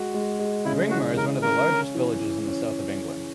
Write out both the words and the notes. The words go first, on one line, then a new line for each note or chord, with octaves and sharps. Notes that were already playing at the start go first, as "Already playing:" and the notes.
Ringmer is one of the largest villages in the south of England.
Already playing: G#3 F#4
G#3
G#3
C#3 E4
E3 F#4
C#3 A#4
C#3 A#4
C#4
E3
E3
C#4